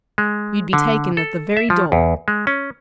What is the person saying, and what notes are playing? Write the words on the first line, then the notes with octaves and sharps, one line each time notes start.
You'd be taken at the very door.
G#3
D3
A4
E5
F3
E2
G#3
C#4